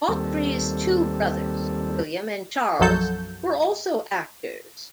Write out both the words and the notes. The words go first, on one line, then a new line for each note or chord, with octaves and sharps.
Hawtrey's two brothers, William and Charles, were also actors.
D#2 G3 C4 A4
B1 F#2 F3 F#3 A4 G6